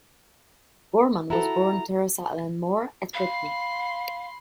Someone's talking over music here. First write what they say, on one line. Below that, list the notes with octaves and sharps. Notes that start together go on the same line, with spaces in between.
Gorman was born Teresa Ellen Moore at Putney.
E4 F#4 A4 A#5
F5 B5 C6